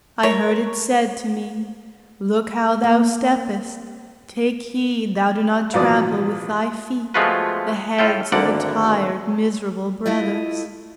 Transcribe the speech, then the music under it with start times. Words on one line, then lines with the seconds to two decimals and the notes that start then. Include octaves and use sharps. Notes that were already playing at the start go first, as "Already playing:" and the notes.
I heard it said to me: "Look how thou steppest! Take heed thou do not trample with thy feet The heads of the tired, miserable brothers!"
0.23 A#4 C#5
2.84 A#3
5.73 A1 B2 F3 F#3 D5 D#6
7.14 F3 G#3 A3 F4 F#4 B4
7.98 A2 F4 A4 G5
8.32 G#1 D2 D3 A#3 D5 F#5
10.06 A3 E4 F4 D#5